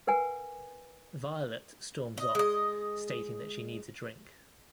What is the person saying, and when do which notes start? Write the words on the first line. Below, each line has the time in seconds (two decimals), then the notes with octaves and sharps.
Violet storms off, stating that she needs a drink.
0.07 A#4 B4 F#5 G#5
2.18 D#5
2.35 G#3 D#5